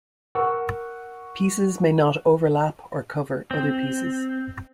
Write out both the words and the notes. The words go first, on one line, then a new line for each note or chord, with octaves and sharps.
Pieces may not overlap or cover other pieces.
A#4 F#5 C#6 E6
C4